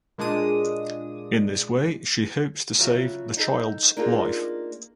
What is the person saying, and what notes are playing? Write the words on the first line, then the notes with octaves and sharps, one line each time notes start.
In this way she hopes to save the child's life.
A#2 G#3 D4 D#6
C#3 F#3 F4 F#4 E5
D#4 A4
A#3 D4 D#4 F4 G#4 A4